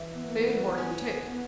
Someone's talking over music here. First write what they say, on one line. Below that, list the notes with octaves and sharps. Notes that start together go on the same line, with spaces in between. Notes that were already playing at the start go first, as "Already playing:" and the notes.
Food hoarding, too.
Already playing: E3
B3
A#3
B3
C#4
B3